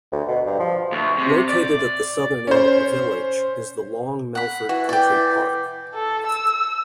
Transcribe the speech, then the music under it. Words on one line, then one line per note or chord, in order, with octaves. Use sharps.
Located at the southern end of the village, is the Long Melford Country Park.
D2
B2
G2
F3
D2
C3
D5
C#4 C5
F#5 B5
E3 F#4
D5 G5
A4
E6